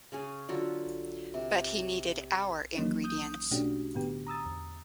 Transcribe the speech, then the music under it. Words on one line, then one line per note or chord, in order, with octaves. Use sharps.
But he needed our ingredients.
C#3 C#4 G#4
D3 F#3 F4 A4
C3
D#3 E3 F#3 A#3 C#4 D#4
D#6 G6
B2 A3 C#4 D4 F#4 G4
A2 D3 B3 G4
A#5 D#6 E6 A6
E2